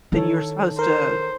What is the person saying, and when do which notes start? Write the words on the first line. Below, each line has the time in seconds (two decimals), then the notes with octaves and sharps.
that you're supposed to
0.12 D#3 D#4 E4 A4 C#5
0.79 A#4 C5